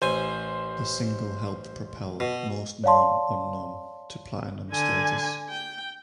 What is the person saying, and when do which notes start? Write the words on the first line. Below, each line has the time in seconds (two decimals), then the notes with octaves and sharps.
The single helped propel "Most Known Unknown" to platinum status.
0.02 A1 C5 G#5
2.20 B2
2.84 C#5 D5 F5 A5 C6
4.71 D3 G#5
5.49 G5